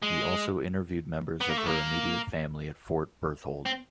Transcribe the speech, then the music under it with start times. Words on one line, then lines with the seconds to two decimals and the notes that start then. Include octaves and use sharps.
He also interviewed members of her immediate family at Fort Berthold.
0.02 G#3
1.41 B3
1.49 A#3
1.57 A3
1.66 A#3
3.66 C4